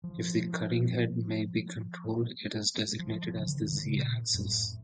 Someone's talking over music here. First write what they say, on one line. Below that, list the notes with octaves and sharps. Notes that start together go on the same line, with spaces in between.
If the cutting head may be controlled, it is designated as the Z-axis.
F3
F3
F3
C#3
D#3
C3
C#3
A#2
F#2
A2